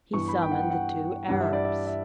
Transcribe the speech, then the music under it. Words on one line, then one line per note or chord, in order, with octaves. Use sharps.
He summoned the two Arabs.
G2 E3 B3 C#6
B5
G5
F#5
G5
F#5
G2 E3 G3 F#5
E5
D5
E5
E5